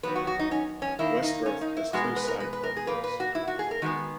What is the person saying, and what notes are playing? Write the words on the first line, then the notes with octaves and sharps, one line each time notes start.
Westgarth has two side platforms.
D#3 F#3 B3 B4
F#4
F#4
D#4
C#4
C#4
D#3 A#3 E4
D#4
C#4
D#4
E4
B2 G#3 B3 F#4
A#4
B4
A#4
B4
B4
A#4
G#4
A#2 A#3 B4
B4
F#4
E4
F#4
G#4
A#4
D#3 G#3 B3 F#4